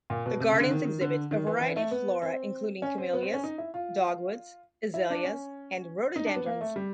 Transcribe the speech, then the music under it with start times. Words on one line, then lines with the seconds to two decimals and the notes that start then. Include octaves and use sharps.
The gardens exhibit a variety of flora including camellias, dogwoods, azaleas, and rhododendrons.
0.10 A#2
0.26 B2
0.40 C3
0.50 C#3
0.60 D3
0.71 D#3
0.85 D#3
1.01 D3
1.31 D#3
1.47 E3
1.61 E3
1.76 A3
1.91 B3
2.22 C4
2.82 C#4
2.98 C4
3.13 B3
3.23 C4
3.34 C#4
3.44 D#4
3.58 E4
3.74 F4
4.94 E4
5.10 D4
5.24 C#4
6.16 D#4
6.26 D4
6.36 B3
6.46 A#3
6.61 A3
6.76 G3